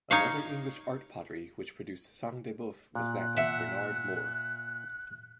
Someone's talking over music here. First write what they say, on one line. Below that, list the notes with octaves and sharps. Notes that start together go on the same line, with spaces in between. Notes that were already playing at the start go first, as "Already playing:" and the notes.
Another English art pottery which produced sang de boeuf was that of Bernard Moore.
D#4 C#5 F5
A#2 F#6
E5 F#5